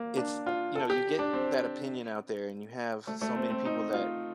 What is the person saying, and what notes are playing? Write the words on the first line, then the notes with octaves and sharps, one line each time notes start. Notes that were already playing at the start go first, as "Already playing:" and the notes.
it's you know, you get that opinion out there and you have so many people that
Already playing: A#3
D4
F4
A4
G4
D4
C4
A3
A3
C4
C4
D#4
F4